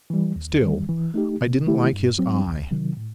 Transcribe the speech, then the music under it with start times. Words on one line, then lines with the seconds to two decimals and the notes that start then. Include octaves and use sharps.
Still, I didn't like his eye.'
0.10 E3 G3
0.36 D#2
0.62 D#3 G3
0.89 E3
1.14 A3 D#4 G4
1.41 C3
1.67 D#3 A3 E4 G4
1.93 G2
2.19 F#3 C4
2.45 C2
2.71 C3 D#3 F#3
2.97 A2